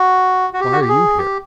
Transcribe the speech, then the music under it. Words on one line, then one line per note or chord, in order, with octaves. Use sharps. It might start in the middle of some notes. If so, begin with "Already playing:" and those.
"Why are you here?"
Already playing: F#4
F#4
G4
F#4
G4
G#4
G4